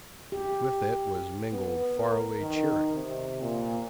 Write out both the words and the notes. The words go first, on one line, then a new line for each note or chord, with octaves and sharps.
With it was mingled far-away cheering.
G4
B3
A#4
D#3
C3
A#2